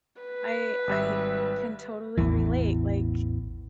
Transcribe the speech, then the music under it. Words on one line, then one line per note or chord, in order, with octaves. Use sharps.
I I can totally relate like
B4
G#1 G3 E5
A1 E2 E3